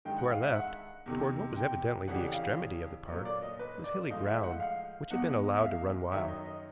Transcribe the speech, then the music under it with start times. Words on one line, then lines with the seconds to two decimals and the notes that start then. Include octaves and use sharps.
To our left, toward what was evidently the extremity of the park, was hilly ground, which had been allowed to run wild.
0.05 G2 D#3 G#3 G5
0.18 F#5
0.31 F5
0.43 E5
0.55 F#5
1.06 E2 C3 D#3
1.57 G5
2.07 F2 C#3 E3 G3 F#5
2.33 F5
3.08 A#2 F#3
3.25 D5
3.42 D#5
3.59 B4
3.84 D5
4.09 A2 F3 G#3 D#5
4.26 E5
4.44 F#5
4.60 F5
5.11 E2 B2 G#3 F#5
5.57 E5
5.62 F5
6.12 F#2 D#3 F#3 E5
6.28 D#5
6.46 D#5